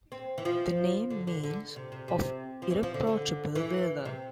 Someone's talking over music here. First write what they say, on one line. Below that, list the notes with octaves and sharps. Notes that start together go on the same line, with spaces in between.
The name means "of irreproachable valor".
C4
E3
F3
D3
D3
D3
C3
C3
C3
F3
E3
F3
D3
D3
E3
C3